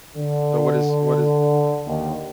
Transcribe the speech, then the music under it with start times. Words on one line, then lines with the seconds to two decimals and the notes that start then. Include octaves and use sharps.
So, what is what is
0.16 D3
1.87 D#2